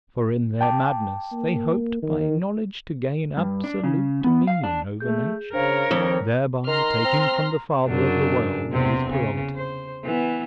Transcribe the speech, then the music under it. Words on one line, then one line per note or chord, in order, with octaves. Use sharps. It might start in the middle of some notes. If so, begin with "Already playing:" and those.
For in their madness they hoped by knowledge to gain absolute dominion over nature, thereby taking from the Father of the world his prerogative.
G5 A5 D6
A#3
D#3
G2
D4
C#3
B3
F5
D4
A3 G#4 G6
C#3 D4 A#4 C5 C#5 F5
F2 D#3
D#3 A#5 C6 F6
C4
F#2 C#3 D4
E2 C3 C4
C#3
C5
E3 B3